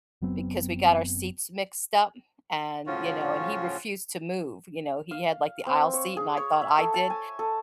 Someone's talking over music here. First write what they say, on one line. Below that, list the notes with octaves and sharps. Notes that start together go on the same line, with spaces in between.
because we got our seats mixed up and, you know, and he refused to move, you know, he had, like, the aisle seat and I thought I did.
F#1 F#3 B3 C4
A2 C#3 F3 C#4 F4 F#4
F5
C4
C#5
G#4
C#5
E5
A4
A5
G#5
A4